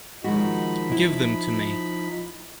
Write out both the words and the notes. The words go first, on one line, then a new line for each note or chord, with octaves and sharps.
Give them to me.
D#3 F3 G#3 D#4 F#4 B5
E4